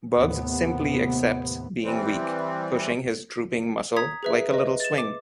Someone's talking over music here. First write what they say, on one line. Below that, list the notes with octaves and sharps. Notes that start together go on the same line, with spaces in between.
Bugs simply accepts being weak, pushing his drooping muscle like a little swing.
D#2 A2 C3 B3
E3 G3 C4
A#5 D#6 G#6 B6
G#4 B4 E5
B4 D#5
A6 E7
D6